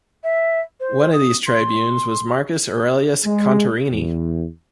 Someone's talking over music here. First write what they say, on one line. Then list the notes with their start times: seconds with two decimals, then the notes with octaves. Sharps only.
One of these Tribunes was Marcus Aurelius Contarini.
0.23 E5
0.80 C5
1.13 D#6
1.46 C6
3.25 G#3
3.92 E2